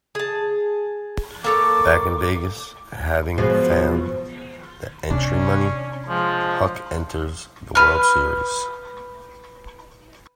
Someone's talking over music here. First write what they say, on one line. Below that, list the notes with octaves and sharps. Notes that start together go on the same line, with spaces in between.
Back in Vegas, having found the entry money, Huck enters the World Series.
G#4 A5
A#3 A4 C#5 D6
B2 F3 G#3
C3 C#4 D4
F3 G#3
B4 F6